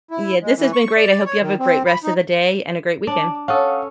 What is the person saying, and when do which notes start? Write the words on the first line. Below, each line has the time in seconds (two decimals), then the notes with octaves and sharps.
Yeah, this has been great, I hope you have a great rest of the day, and a great weekend
0.11 E4
0.42 G#3
0.57 E3
0.73 C#6
0.97 D5
1.25 C#5
1.41 D#3
1.59 C4
1.86 B5
2.04 D#4
3.07 D4 D6
3.48 C#4 A4 F5 F#5 D#6